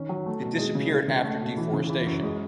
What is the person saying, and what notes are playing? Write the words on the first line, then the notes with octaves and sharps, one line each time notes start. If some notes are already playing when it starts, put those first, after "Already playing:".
It disappeared after deforestation.
Already playing: D#3 C#4
F#3
A3
B2
G#3
C#3
G#3
C#3
A3
B2
E3
C#3
E3
F#2
G#3